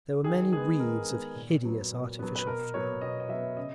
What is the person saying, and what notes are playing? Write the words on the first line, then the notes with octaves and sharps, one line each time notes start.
There were many wreaths of hideous artificial flowers....
D#3 G#4
G#3 B3 G#4
D#3 A#4
G#3 B3
A#2
F#3 B3
A#2
F#3 B3
B4
B2 A#4
F#3 B3 C#5
B2 D#5
D#5
F#3 B3 E5
C#3 D#5